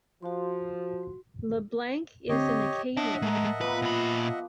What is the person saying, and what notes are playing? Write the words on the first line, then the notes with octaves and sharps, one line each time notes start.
LeBlanc is an Acadian.
F3 F#4 C6
D3 C4 G4 C#5 D#5
D4 C#5 D#5 E5 F#5 A5
A2 G#3 A3 A#4 A5
F3 A#3 B3 B4
A#2 B5